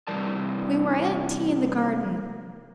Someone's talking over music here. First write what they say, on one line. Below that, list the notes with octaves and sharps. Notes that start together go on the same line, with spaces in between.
We were at tea in the garden.
C3 E3 G3 A#4 D5 A5